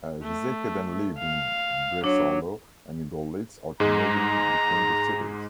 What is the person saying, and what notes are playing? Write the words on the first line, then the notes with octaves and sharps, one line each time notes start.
Giseke then lived in Breslau and Görlitz, alternating between the cities.
A3
F5
F#3 D4 C#5
G#2 G#3 A#5